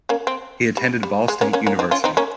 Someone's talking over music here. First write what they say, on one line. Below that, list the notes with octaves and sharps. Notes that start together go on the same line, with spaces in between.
He attended Ball State University.
A#3 C#4
C4
G3
G3
G#3
A#3 C#4
A#3 C#4
A#3 C#4
C4 D#4
C#4 F4
C4 D#4
A#3 C#4